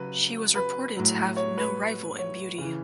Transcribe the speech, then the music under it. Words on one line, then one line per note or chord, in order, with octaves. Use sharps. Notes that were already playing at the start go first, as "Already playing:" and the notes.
She was reported to have "no rival in beauty".
Already playing: C#3 F#3 B4
B4
A2 F#3
C#5
B4
C#5
C#3 E3